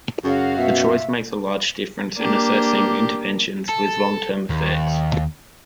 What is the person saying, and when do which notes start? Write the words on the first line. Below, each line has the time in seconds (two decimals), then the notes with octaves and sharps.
The choice makes a large difference in assessing interventions with long-term effects.
0.24 F#2 C#3 F#4 F5
0.58 B2 E5
2.18 A#3 D4 G4
3.69 A4
4.50 D#2